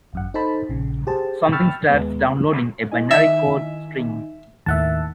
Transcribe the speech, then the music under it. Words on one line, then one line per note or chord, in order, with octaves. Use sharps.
Something starts downloading: a binary code string.
G#1 F#2 F#5
D#4 A4 C5 A5 B5
A#1 C#3
G4 G#4 C5 A5
G5 B5 C#6 E6 F6 A6
D#2 G#3 B3
E4 D#5 G#5
D#3 D#4 E5
D#2 A2 D#3 E5 F#5 A5